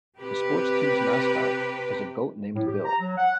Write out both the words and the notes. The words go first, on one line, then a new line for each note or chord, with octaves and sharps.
The sports teams' mascot is a goat named Bill.
C3 G4 B4
A2
G4
A#5
F#3
F#5